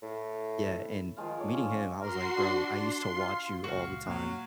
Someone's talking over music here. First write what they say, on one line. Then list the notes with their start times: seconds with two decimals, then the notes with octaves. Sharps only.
yeah, and meeting him, I was like, "Bro, I used to watch you all the time."
0.02 A2
1.17 D#3 F3 G#3 F4
1.38 A4 C#5 D5
1.54 C#4
2.01 F#4 A#4 C6 C7
2.36 D4
2.71 C6 C7
3.14 F4
3.64 C#2 A#2 F#4 F5
4.07 F#3 A#3